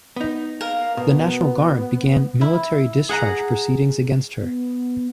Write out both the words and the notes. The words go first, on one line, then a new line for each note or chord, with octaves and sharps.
The National Guard began military discharge proceedings against her.
B3 D#4
A#4 F5
B2 B3
E4
G#4 F#5 A#5
B3